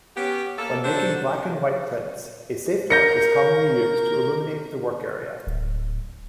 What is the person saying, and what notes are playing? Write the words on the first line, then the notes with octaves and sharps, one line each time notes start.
When making black-and-white prints, a safelight is commonly used to illuminate the work area.
B3 C#4 G4
A#3 A4
D4 F#4 A4 C5
A#4 G6 A#6 C#7
D1